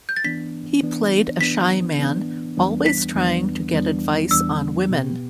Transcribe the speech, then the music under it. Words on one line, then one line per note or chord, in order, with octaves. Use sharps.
He played a shy man, always trying to get advice on women.
G6
A6
E3 B3 D4 B6
E3 B3 D4
E3 B3 D4 B6
E3 B3 D4
E2 E3 G3 B3 D4
B6
E2 E3 G3 B3 D4
E2 E3 G3 B3 D4
E2 E3 G3 B3 D4 E6
B2 B3 G4